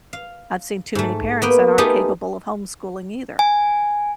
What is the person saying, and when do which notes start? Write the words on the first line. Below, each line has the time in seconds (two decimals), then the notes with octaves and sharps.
I've seen too many parents that aren't capable of homeschooling either.
0.13 F5
0.95 G#2 A3
1.42 A#3 B3 G5
1.78 A3 B3 D#4 F4 G4 G#4
3.39 G#5